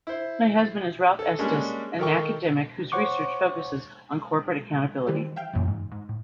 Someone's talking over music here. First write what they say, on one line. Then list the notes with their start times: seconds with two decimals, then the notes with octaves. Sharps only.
Her husband is Ralph Estes, an academic whose research focuses on corporate accountability.
0.07 E4 C5
1.19 A4
1.39 G3 G#3 A#3 C#4 D4 G#4
1.99 D#3 A4 A#4 G5 C#6
2.92 C5 C#5 F#5 C#6 D6
5.07 D#3 E3 G3 G4 C5
5.36 E5 F5 G5
5.53 F#2 A#2 C#3 E3
5.68 G#2
5.92 G#2
6.09 A2